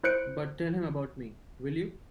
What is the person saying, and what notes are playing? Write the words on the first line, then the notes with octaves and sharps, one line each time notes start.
But tell him about me, will you?
E4 C5 F#6 C#7 D7